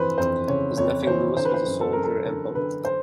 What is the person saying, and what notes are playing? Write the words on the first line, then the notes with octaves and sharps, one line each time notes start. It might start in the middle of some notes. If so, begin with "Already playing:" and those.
His nephew Louis was a soldier and poet.
Already playing: F2 E3 B4 C5
F2 C5
C#3 C#5
F2 C#5
C#5
E3 C5
D3 C5
B4
C5
F#2
A4
F#2 A#4
A4
D3 A#4
D3 B4
C5